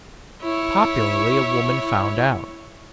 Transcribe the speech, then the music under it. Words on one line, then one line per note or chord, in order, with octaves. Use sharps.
Popularly, a woman found out.
E4 C#5